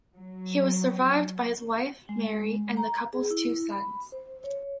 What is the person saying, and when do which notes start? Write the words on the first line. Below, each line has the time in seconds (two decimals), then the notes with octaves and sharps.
He was survived by his wife, Mary, and the couple's two sons.
0.16 F#3
2.09 G#3
2.39 G#3
2.77 A#5
3.13 G#4
3.31 E4
3.71 B5
4.12 C5
4.44 C#5